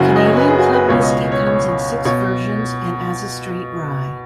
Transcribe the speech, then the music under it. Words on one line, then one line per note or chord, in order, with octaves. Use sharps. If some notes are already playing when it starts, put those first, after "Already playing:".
Canadian Club whisky comes in six versions, and as a straight rye.
Already playing: F#1 F#2 C#3 F#4
D#5
C#5
B4
G#4
F#4
B4
C#2 B2 C#5
D#5
C#5
C#5
B2 C#5